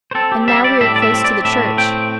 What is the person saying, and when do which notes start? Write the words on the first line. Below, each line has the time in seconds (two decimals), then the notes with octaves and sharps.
And now we are close to the church.
0.11 C5
0.15 C4 A4
0.32 G4
0.48 G3 E5
0.64 D5
0.81 A2 E5
0.96 D5
1.02 E5
1.13 C4
1.24 D5
1.45 A2 E5
1.77 C4 G5